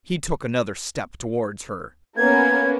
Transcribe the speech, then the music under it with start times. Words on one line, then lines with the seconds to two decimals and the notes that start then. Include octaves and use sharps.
He took another step towards her.
2.17 A#3 B3 C#4 G#6